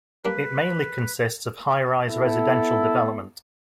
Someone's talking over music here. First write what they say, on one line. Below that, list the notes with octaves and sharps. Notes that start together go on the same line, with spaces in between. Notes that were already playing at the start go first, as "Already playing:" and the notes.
It mainly consists of highrise residential development.
G3 A#3 D4 B4
B3 E4 A4